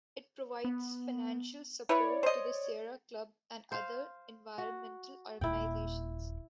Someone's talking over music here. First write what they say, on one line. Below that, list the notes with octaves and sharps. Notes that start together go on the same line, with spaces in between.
It provides financial support to the Sierra Club and other environmental organizations.
B3
E4 B4 C#5 D5
C5 D#5
C5 F5
F#4
D#1 A#2 E4 G5